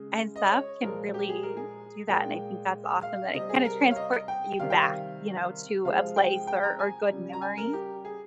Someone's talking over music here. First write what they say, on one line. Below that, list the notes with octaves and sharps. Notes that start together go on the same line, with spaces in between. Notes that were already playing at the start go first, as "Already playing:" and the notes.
and stuff can really do that, and I think that's awesome that it, kinda, transports you back, you know, to a place or or good memories.
Already playing: C#3 G#3
D#5
C#5
A#2 F3 G#3 A#4
G4
G#4
A#4
G#4
A#2 G#3 G5
F5
C3 G3 D#5
G#4
A#4
C#5
F5
D#5
G5
C3 D#3 G3 F5
G5
F5
C3 F3 G#3 F5
G5
G5
A#5
G#5
C#3 G3
A#5
G#5
A#4
G4
G#4